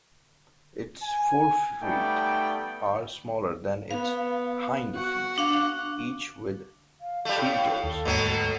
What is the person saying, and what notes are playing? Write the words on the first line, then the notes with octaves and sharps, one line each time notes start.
Its forefeet are smaller than its hind feet, each with three toes.
G#5
G3 A3 B3 D#4 D5 G5
B3 F5
F#4 F#5
D4 F5
F5
G3 A3 F5
A2
D#2 A4
D2 G#2 B2 F#3 A#3